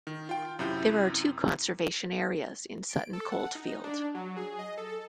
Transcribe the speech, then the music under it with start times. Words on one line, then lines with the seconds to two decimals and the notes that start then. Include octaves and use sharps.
There are two conservation areas in Sutton Coldfield.
0.07 D#3
0.29 F4 G5
0.59 F#2 C3 E4 G6
2.89 D7
3.13 A4
3.32 F#5
3.55 D#4
3.84 D4
4.14 F#3
4.36 G#4
4.59 D#5
4.78 A4